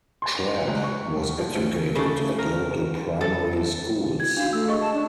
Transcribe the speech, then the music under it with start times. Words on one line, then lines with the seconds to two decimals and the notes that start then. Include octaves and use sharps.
Crabb was educated at local primary schools.
0.22 C6
0.37 F7
0.67 C#2
0.83 C#6
1.16 C2
1.39 F3
1.55 D2
1.95 C#3 A3
2.39 A#4
3.21 A4
4.20 G#6
4.37 D4 F#4 F5
4.53 A3 E6
4.68 G#4 D#5 C#6
4.81 A5
4.94 D4